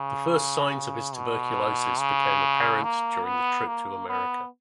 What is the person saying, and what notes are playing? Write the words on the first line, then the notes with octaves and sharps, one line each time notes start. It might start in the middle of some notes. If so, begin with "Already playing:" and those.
The first signs of his tuberculosis became apparent during the trip to America.
Already playing: C#3
B2
C#3
A#3
B3
A#3
B3